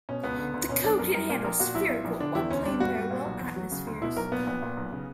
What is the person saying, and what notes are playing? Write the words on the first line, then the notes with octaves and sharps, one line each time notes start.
The code can handle spherical or plane-parallel atmospheres.
B2 C#4
C#2 B3
D3
D2
B2 C#4
B1 D4
F#2 A#4
G3 A#4
A#2 A#4
A#1 A#4
A#2 F#4
B1 E4
A#2
A#1
D3 D4
E2 E4
D2 C#4
G3 D4
G2 F#4
G3
A#2
B1
E2
F#3
C#3
D2
B2 E4
B1 A#4
A#2 B3
A#1 B3
A#2
B1
C#3